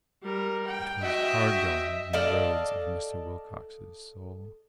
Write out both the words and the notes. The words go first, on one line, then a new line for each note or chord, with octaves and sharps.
It was hard-going in the roads of Mr. Wilcox's soul.
G3 A#4
G5
F#4 D#5 E5 G5
A4 D5 D#5 F5